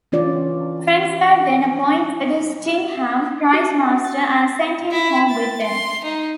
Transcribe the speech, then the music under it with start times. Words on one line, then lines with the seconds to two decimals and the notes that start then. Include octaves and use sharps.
Trenchard then appointed Stingham prize-master and sent him home with them.
0.12 E3 C#4 F4 D5
3.53 F#4
4.04 A6
4.92 E4
5.29 A6
5.63 C6
6.05 D#4